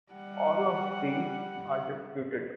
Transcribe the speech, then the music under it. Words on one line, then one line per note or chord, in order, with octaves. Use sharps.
All of these are disputed.
G3 F#5